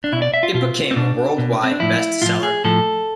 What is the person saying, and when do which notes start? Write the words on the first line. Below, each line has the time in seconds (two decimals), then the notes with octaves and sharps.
It became a world-wide best seller.
0.04 D4
0.12 B2 E4
0.22 D5
0.34 E5
0.43 F4
0.54 B2 F4
0.91 C4
0.96 B2 D4
1.38 B2
1.63 C4
1.72 D4
1.80 A2 F3 E4
2.22 A2 F3 F4
2.43 G#4
2.64 A2 F3 A4